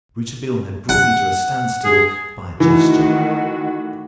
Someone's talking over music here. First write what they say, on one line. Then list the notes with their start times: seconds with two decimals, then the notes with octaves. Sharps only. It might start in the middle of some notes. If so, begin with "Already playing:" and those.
Rouletabille had brought me to a standstill by a gesture.
0.89 F#5
1.85 G#4
2.60 D#3 E3 A3 F#4